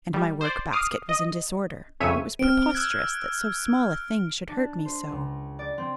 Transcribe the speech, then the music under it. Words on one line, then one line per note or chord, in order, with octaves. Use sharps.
And my work-basket was in disorder; it was preposterous that so small a thing should hurt me so.
G3
C5 D5
D6 D#6 F6 C7
D#5
C2 F2 C#3 C#5 E5 D#7
C4 F6 D7
E6 F#6 G#6
D4
C5
C#2
D5
C4